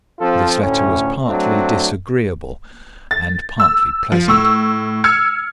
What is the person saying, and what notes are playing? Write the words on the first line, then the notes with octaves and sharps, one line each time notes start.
This letter was partly disagreeable, and partly pleasant.
F3 C4 F4 A4
D2 A2 C#4
F#3 A3 C4 D4
A6
E6
F3
A2 C#6 E6
E6 F6 G#6 C#7